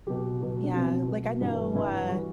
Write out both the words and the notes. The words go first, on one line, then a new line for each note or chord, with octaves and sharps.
Yeah, like, I know, uh
B2 F#3 G4
B2 F#3
D4
B2 F#3 C4
B2 F#3
G2 E3 G3 D4
G2 E3 G3 E4
E3 G3 F#4